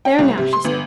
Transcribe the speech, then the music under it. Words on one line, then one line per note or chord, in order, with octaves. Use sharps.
'There, now!' she said.
G5
C2
C3
C6
G1